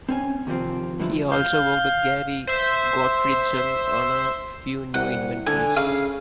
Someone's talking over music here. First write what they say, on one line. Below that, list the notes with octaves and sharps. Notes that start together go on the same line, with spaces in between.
He also worked with Gary Gottfredson on a few new inventories.
C4 C#4 G#5
D#2 C3 F3 C4
G2 D3 F3 E4
F5 G6
C5 E5
C2 F#5
D3 G#5
C#3 F5